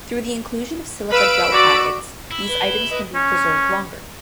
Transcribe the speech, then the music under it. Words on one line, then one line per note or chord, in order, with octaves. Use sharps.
Through the inclusion of silica gel packets, these items can be preserved longer.
B4 F5 B5 E6 D7
F#4 D5
E4 E6
B4 G7
B4 D#5
C#4